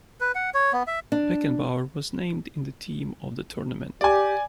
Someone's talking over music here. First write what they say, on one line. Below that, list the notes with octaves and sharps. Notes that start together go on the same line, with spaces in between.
Beckenbauer was named in the Team of the Tournament.
B4
F#5
C#5
B3
E5
D4
G4 D5 G#5